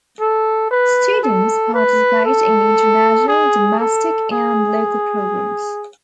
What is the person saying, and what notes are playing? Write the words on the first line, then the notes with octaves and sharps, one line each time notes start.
Students participate in international, domestic, and local programs.
A4
B4
A4
B4
A4
G#4
A4
G#4